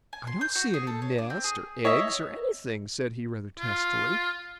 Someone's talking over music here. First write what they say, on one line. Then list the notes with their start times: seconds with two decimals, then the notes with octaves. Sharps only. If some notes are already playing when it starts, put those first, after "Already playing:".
"I don't see any nest or eggs or anything," said he rather testily.
0.13 G#5
0.27 C6
0.41 G6
0.55 F#4
0.74 G#4
0.87 A4
1.02 C#5
1.18 D4
1.30 C4
1.44 G#4
1.85 C#5 D#5 E5
3.59 F4